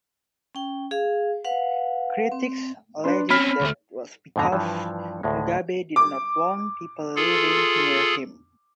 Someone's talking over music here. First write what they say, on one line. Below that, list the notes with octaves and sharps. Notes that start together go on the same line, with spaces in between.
Critics alleged that was because Mugabe did not want people living near him.
C#4 G5
G#4 F5
B4 F5 F#5
C4
D4 B4 C6
C4 C#4 B5 F6 B6 E7
D2 A3
F2 G#2 B2 D3 A#5
G2 E3 F3
D2 A2 G#3
D6
F4 G#4 A4